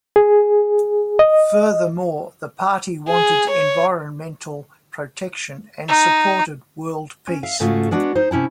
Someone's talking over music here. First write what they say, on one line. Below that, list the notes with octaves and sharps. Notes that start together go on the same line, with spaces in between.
Furthermore, the party wanted environmental protection and supported world peace.
G#4
D#5
G#4
C#5
D#4
C#4
E5 F5
G#2 C#3 A3 F4 F#4
G#3 B3 D4 F#4
D#4 C5
C3 C#4 E4 A5